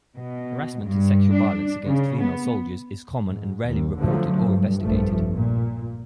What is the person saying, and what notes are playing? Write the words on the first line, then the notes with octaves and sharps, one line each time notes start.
Harassment and sexual violence against female soldiers is common and rarely reported or investigated.
B2
G2
D4
C#3
B3
G#2
D#2
D3 F3 F#3 A3
G2
F1 A#1 G2 F3 A3
A#2